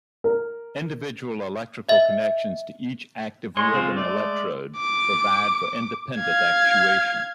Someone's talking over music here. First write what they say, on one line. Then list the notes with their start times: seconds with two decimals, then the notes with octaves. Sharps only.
Individual electrical connections to each active ribbon electrode provide for independent actuation.
0.24 A#4
1.89 D#5 E5
3.57 G#3 C#5 C6
3.74 C#3 C4 F4
3.97 G#3 A3 D5
4.77 D6
6.19 F5 G#6